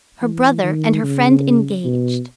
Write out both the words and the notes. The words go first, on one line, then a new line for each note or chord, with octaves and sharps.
Her brother and her friend engaged!
E3
D#3
C#3
B2